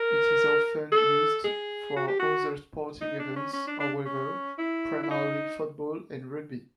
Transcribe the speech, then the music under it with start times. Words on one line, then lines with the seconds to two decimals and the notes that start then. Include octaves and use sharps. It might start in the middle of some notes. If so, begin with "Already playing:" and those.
It is often used for other sporting events however - primarily football and rugby.
Already playing: A#4
0.92 A4
1.44 G#4
1.96 F#4
2.08 G4
2.19 F#4
3.01 D#4
3.19 D4
3.36 C#4
3.53 C#4
3.67 D4
3.80 D4
4.06 C#4
4.58 E4
5.03 E4
5.11 D#4